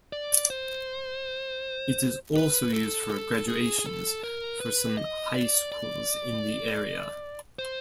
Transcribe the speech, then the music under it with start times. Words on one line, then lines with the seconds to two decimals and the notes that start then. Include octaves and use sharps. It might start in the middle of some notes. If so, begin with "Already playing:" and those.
It is also used for graduations for some high schools in the area.
0.13 D5
0.50 C5
2.37 B4
2.73 A4
3.11 A4
3.48 G#4
3.79 G#4
3.86 A4
4.24 A#4
4.61 B4
4.97 D#5
5.35 D5
5.72 D5
7.59 C5